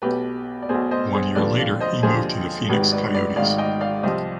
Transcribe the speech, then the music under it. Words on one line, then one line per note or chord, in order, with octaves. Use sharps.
One year later, he moved to the Phoenix Coyotes.
B1 B2 G4 B4
D5
B1 B2 G#4 C5
C5 D#5
G#4 C5
D#2 D3 F3 B4 D5
D5 F5
C5 D#5
D#2 D3 F3 G#4 C5
G#1 G#2 D#3 G4 B4
B4 D5
B4 D5
G#1 G#2 D#3 D5 F5
D#5 G5
D5 F5
C2 C3 F3 C5 D#5